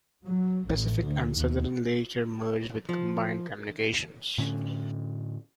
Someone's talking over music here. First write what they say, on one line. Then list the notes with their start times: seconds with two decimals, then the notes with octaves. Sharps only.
Pacific and Southern later merged with Combined Communications.
0.25 F#3
0.67 A1
1.05 D2
1.37 D#2
2.89 F3
4.38 A2 D3 C#4